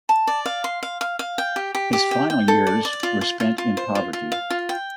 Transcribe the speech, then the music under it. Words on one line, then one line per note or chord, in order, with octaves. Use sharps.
His final years were spent in poverty.
A5
D5
F5
C6
F5
F5
F5
G5
G4
G4
G4
G5
G5
A4
D5
D5
F4
F4
F4
F4
C5
F4
F4
F5
F4
G5